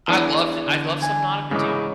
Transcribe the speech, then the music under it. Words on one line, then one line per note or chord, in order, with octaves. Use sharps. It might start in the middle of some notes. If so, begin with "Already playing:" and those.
I loved I loved some Nautica too.
E2 E3 D4
D3
G#5
G#2 C#3 E3 C#4 B4 D6